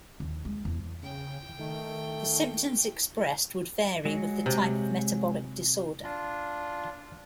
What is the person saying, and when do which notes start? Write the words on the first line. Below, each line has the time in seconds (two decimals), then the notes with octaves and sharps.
The symptoms expressed would vary with the type of metabolic disorder.
0.20 D#2
0.45 G#3
0.65 E2
1.03 C#3 G5
1.59 D#3 A3
4.05 F#3 G#3 F#4
4.46 C3
6.04 D4 F4